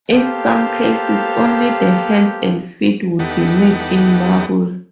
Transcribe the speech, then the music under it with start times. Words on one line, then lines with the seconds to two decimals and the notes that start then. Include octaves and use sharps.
In some cases, only the hands and feet would be made in marble.
0.11 A#3 B3 G4 A4 C5 F5
3.19 E2 B3 D#4 G4 A4 F#5